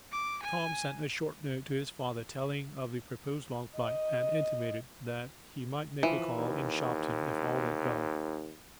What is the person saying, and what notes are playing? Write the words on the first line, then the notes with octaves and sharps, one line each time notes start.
Tom sent a short note to his father telling of the proposed long flight, and intimated that he might make a call in Shopton if all went well.
D6
G#5
D#5
E3 F3
D#2